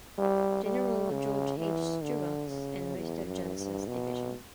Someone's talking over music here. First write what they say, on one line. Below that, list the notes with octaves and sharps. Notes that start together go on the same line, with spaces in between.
General George H. Steuart, and most of Johnson's division.
G3
G3
C#3
E3
D3
C#3
E2
F#2
G2
B2